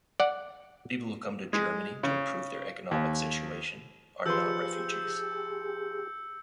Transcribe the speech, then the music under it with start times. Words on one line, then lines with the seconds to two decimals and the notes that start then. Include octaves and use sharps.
People who come to Germany to improve their economic situation are not refugees.
0.20 D5 F#5
1.53 G#3
2.03 C#3
2.91 D#2
4.26 F3 G4 G#4 B4 C6 E6 G6 C#7